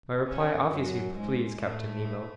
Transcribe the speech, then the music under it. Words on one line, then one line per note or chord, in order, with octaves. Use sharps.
My reply obviously pleased Captain Nemo.
C#3 C#4
F#2 F#3
G#2 G#3
A2 A3